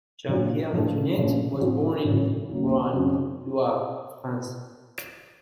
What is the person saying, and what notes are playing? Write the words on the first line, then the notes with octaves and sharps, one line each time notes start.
Jean-Pierre Jeunet was born in Roanne, Loire, France.
A#1 A#2 F#3
A#1 A2 F3 A3
A#1 A#2 F3 A3 C#4
A2 F3 C4 F#4
A1 A2 F#3
D#2 C#3 F#3 A#3
F#2 C#3 F#3 C4 D#4